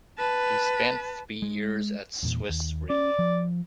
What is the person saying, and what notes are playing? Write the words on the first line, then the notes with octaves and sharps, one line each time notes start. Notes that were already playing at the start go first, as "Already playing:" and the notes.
He spent three years at Swiss Re.
B4 A5
G#3
E2 A#2
D#2
C#4 D5
F3